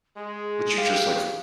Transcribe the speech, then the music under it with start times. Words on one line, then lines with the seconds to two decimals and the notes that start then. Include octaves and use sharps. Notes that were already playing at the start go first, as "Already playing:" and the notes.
would you just, like,
0.16 G#3 G#4
0.78 G4 F5